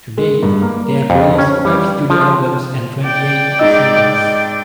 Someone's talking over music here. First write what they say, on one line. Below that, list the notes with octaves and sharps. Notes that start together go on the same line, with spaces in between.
To date, they have released five studio albums and twenty-eight singles.
G#3
G2
A#3
F2
C#4
G3
F3
D5 G5
G#2 D#4 D#5 E6